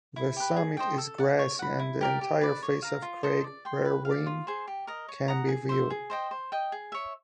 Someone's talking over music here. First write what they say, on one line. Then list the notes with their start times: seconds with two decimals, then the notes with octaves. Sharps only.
The summit is grassy, and the entire face of Craig Berwyn can be viewed.
0.16 E4
0.37 G4 B4
0.56 G#4
0.77 C5 D#5 G5
0.98 A4
1.18 D5 F#5
1.39 C#5
1.59 F#5 B5
1.79 E4
2.01 G4 A#4 D5
2.21 G4
2.41 B4 D5
2.63 C#5
2.82 F5 A#5
3.02 F4
3.23 A4 C5 D#5
3.44 D5
3.65 G5 C6
3.85 B4
4.05 F5
4.10 D5
4.26 F4
4.47 G#4 C5
4.67 G4
4.87 A#4 D#5
5.08 C#5
5.28 F#5 A#5 D#6
5.48 G#4
5.69 C5 E5
5.90 G#4
6.10 C5 D#5 G5
6.31 C5
6.52 D#5 G5
6.72 G#4
6.92 C#5 E5